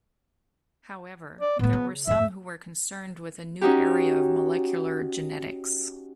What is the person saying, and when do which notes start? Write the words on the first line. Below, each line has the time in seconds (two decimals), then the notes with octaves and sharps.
However, there were some who were concerned with the new area of Molecular Genetics.
1.41 D5
1.59 A2 A3 B3
1.73 C#3
2.07 F2 G#2 E5
3.61 C#4 D#4 F#4 G4